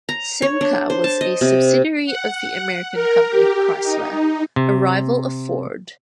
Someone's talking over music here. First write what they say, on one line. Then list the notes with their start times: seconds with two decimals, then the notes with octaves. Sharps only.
Simca was a subsidiary of the American company Chrysler, a rival of Ford.
0.09 A#5
0.42 C#5
0.61 D4
0.90 C5
1.04 A5
1.21 D#5
1.41 C3
2.06 F#5
2.93 A#4
3.29 G4
3.83 D#4
4.56 C3